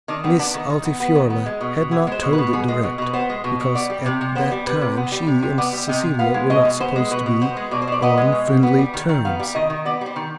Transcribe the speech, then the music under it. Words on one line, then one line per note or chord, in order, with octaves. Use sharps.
Miss Altifiorla had not told it direct, because at that time she and Cecilia were not supposed to be on friendly terms.
D#3 D4
B3 C4
B3 D4
D#3
D#3
B3
B3
D#3
B3
G#3
B2
B2
B3 G#4
G#3 C5
B2
B4
B2
B3 G#4
G#3
B2
B2 B4
B3 C5
G#3
B2
B2
B3 D5
G3
C3
C3
B3 C5
G3
C3 B4
C3
B3
G3
C3
C3
B3 D5
G3
C3 D#5
C3
B3 F5
G#3
B2 D#5
B2
B3 C5
G#3
B2 B4
B2
B3 C5
G#3
B2 D5
C5
B2 D5
B3 D#5
G#3
B2
B2
B3
G3
D#3
D#3
B3 F5
G3
D#3 D#5
D#3
B3 D5
G3 C5
D#3